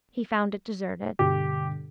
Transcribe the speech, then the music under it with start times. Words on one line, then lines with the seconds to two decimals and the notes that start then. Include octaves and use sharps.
He found it deserted.
1.19 G2 B2 D3 G4